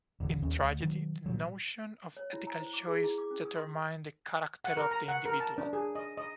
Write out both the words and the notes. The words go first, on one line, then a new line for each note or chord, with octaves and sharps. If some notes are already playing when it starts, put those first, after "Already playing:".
In tragedy, the notion of ethical choice determined the character of the individual.
D#1 A1 D3
D#2 C#4
D2
D#3 F#3
A#2 F#3
C#5
E4
A#5
C5
D6
G#4
E4
D6
C#4
D#6
C6
F#5
A#4
A#5
F#5
A#4
A5
D4
G#4
D#5
D#5